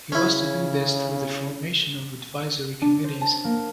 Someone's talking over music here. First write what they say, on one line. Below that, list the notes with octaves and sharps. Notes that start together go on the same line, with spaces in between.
He was to do this through the formation of advisory committees.
C#3 C#4 E4
D4
C5
A5
A#3